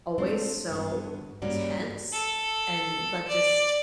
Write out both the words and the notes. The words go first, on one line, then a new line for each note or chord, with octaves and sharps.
always so tense and like, just,
G#3 C4 D4
G2 D3 B3
G2 G3 A#3 C#4 F#4 D5
A4
D5